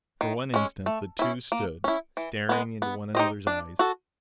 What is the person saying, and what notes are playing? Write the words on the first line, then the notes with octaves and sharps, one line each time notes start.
For one instant the two stood, staring into one another's eyes.
D#3
G#3 C#4
A3
C#4 E4
A#3
C#4 E4
E3
G#3 B3
B3
D#4 G4 C5 D#5
D4
F#4 A4